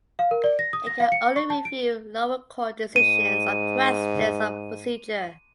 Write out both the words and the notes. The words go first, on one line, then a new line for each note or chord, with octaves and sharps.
It can only review lower court decisions on questions of procedure.
F5
A#4
D5
A#6
D#6
A#6
F5
C#7
C#6
A5
D7
G#2 D#7